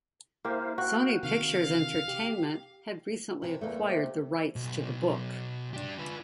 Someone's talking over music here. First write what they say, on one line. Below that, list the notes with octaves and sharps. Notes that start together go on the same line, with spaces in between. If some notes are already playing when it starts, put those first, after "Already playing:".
Sony Pictures Entertainment had recently acquired the rights to the book.
A#3 E4 G4 C5 F5
F#4 F5 G5
C3 D#3 F5
G4
C3 E3
E2 A3 A#3
C3
B1
D4 G4
F4 B4